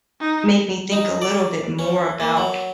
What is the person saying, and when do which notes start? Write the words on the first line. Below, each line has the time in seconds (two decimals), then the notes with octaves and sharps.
make me think a little bit more about
0.21 D#4
0.92 D#4
1.22 D5
1.79 C#4
2.20 A#3
2.37 F#3